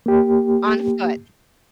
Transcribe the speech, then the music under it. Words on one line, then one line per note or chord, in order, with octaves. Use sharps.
On foot,
A#3 G4